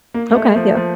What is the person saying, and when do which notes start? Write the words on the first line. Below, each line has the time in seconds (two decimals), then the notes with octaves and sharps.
Okay, yeah.
0.14 A#3
0.35 A3
0.56 F3
0.77 F3